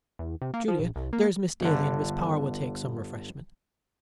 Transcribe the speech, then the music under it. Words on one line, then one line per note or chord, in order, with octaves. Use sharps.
Julia, there's Miss Daly and Miss Power will take some refreshment.
E2
C3
A#3
F3
A#1
C2
A#3
G1 D3